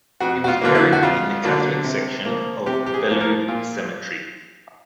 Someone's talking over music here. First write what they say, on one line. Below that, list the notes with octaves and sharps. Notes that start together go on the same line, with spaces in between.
He was buried in the Catholic section of Bellu cemetery.
F2 F#4
F#4
F4
D3 F#3 A#3 F4
E4
F#4
F2 F4
D3 F#3 A#3
C3
F3 A#3
C3 G4
G4
G#4
F3 A#3
A#4
A#2 F4